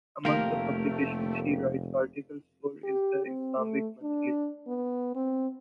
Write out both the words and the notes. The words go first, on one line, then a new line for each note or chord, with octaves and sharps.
Among the publications she writes articles for is The Islamic Monthly.
F1 A3 A#3 F4 G4 A#4
G4
C4
A3
D4
B3
C4